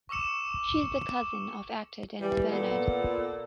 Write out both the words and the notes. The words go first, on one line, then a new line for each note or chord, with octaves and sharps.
She is the cousin of actor Denis Bernard.
C#6 D6 E6 C#7 E7
E3 G3
A#2 B3 A4